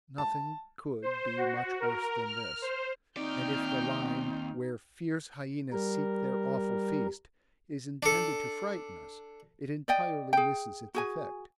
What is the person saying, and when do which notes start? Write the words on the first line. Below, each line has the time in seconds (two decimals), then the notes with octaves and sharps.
Nothing could be much worse than this, and if the line 'Where fierce hyaenas seek their awful feast' is intended to frighten us, it entirely misses its effect.
0.18 A5
1.02 C5
1.37 F#4
1.80 A#4
2.26 F6
2.62 C5
3.17 D#2 C4 D#4 D5 G5 F6 G6
5.73 G3 A#4
8.03 D4 A4
9.88 D5 D#5 G5
10.33 G#4 G5
10.95 F#4 G#4 G#5